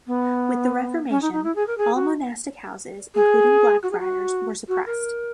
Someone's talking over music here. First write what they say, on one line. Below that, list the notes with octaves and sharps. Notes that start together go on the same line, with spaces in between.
With the Reformation, all monastic houses, including Blackfriars, were suppressed.
B3
C#4
D#4
D#4
E4
G#4
A#4
G#4
F#4
G#4
F#4
G#4
F#4
F#4
A#4